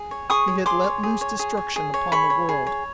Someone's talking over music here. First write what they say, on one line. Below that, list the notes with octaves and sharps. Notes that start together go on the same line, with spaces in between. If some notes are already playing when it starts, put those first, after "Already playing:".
He had let loose destruction upon the world.
Already playing: G#4
C#5
G#4 C#6 D#6
C#5
G#4 C6 D6
C#5
G#4
C#5
G#4
C#5
G#4
C#5
G#4 B5 C#6
C#5
G#4
C#5